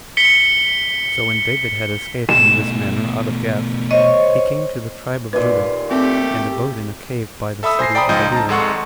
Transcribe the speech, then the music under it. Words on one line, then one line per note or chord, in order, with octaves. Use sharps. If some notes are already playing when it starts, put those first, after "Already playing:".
So when David had escaped in this manner out of Gath, he came to the tribe of Judah, and abode in a cave by the city of Adullam.
B6 C#7 G7
B2 A3 E7
C5 C#5 D#5 C#6
D#2 A#2 B4
A3 C4 G4 D6
A4 E5 B5 D#6 E6
C5 G#5 A#6 C7
D5 G5 A#5 B5 D#6
C#2 F3 D#4 D#5 G6
A5 A#5
G#1 G#3 A4 F#5 C6 C#6